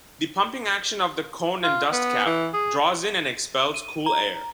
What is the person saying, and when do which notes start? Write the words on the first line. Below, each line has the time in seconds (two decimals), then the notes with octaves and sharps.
The pumping action of the cone and dustcap draws in and expels cool air.
1.63 F4
1.92 B3
2.26 E3
2.54 G#4
3.74 D#7
4.06 A#5